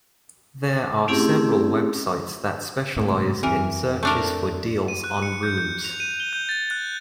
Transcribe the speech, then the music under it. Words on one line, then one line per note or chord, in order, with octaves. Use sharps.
There are several websites that specialize in searches for deals on rooms.
A3 C4 C#4 E4 G4 G#4
G#2 C3 A3
F2 E3 C4 A#4
A3 D4 A#4
D#7
F#6
C#7
G6
G6
F7
D#7
G7
G6
A6
F#6